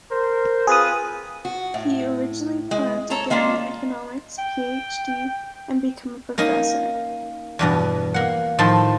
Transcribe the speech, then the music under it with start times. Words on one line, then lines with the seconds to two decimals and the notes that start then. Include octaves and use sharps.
He originally planned to get an economics PhD and become a professor.
0.10 A#4 C5
0.67 C4 F4 G#4 B4 D#6
1.45 F#4
1.74 A2
2.71 G#3
3.10 A4 C#5 A5 A#5
3.30 G#3 A#3 C#4 D4 F4
4.38 G5
6.38 A#3 C#4 D#4 A#4
7.59 E2 G2 B2
8.14 A#3 F#5
8.59 A2 D#3 F3 A4 A5 C6